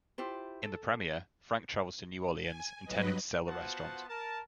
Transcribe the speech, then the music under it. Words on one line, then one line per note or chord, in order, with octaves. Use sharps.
In the premiere, Frank travels to New Orleans intending to sell the restaurant.
E4 F4 G4 C5
A4
G#5
G2 F#3 B4 D#5
B3 F4 F#4 C5 F#5 A5
A#4 A5